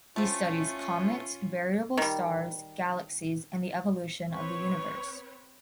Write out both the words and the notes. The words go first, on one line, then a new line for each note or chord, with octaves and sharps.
He studied comets, variable stars, galaxies and the evolution of the universe.
A3 C4 C#4 F4
D#3 G3
C4 B4 C#5 C#6